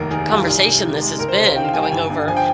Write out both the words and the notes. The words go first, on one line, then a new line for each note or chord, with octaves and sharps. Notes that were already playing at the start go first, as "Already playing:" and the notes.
conversation this has been, going over
Already playing: F1 D#2 G3 A#4
D#3 G#4
G3 F4
C2 G#4
C3
D#3
G#3
C#2 A#4
C5
C3 D#5
F5
D#3 G5
F5
G3 G#5
G5
G1 G#5
G2
F3 G#5
G5